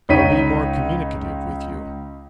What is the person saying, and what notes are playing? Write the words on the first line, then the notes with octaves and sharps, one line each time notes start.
I'll be more communicative with you.
C#2 D#4 C#5 B6 D#7